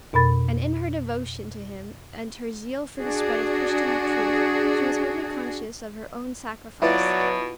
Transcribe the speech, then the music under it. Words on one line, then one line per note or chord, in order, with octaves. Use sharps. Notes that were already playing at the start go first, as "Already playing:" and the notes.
And in her devotion to him, and her zeal for the spread of Christian truth, she was hardly conscious of her own sacrifice.
F2 B2 A#4 B5 A6
D4 F#4 G#4
B2 F#3 E4 F4 B4 D5